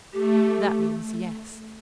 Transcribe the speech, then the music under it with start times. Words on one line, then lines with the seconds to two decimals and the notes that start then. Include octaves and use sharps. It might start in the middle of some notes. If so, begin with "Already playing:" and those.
That means yes.
0.13 A3 G4